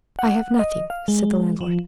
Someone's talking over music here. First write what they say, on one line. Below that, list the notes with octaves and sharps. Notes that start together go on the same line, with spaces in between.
"I have nothing," said the landlord.
F#5
D#5
F5
G#3
F3